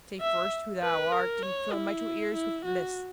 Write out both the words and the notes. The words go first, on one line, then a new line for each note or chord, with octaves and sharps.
Say first who thou art, and fill my two ears with bliss.'
E5
B4
A#4
C#5
E4
E4
F#4